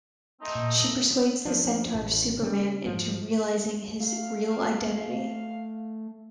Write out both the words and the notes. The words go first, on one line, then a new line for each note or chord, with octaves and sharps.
She persuades the centaur Superman into realizing his real identity.
A3 C4 D#4
A#2
F3 D4
A1 A2
C#3 G3
G#2 F3
A3 F5